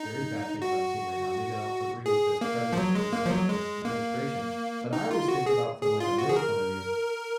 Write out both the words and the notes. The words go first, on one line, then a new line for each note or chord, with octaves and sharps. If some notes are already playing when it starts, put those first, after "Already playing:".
There is bad things I'm seeing right now. Maybe I don't agree with this president or this uh, this administration,” but I always think about from, like, a middle point of view.
Already playing: D#4
F#4
G#4
A#3
F3
F#3
G#3
A#3
F3
F#3
G#3
A#3
D#4
F4
F#4
G#4
G#4
F4
F#4
G#4
A#4